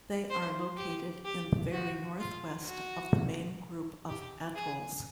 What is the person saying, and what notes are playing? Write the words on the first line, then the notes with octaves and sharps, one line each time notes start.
They are located in the very northwest of the main group of atolls.
C5
G4
G4
F#4
F4
F#4
G4
G#4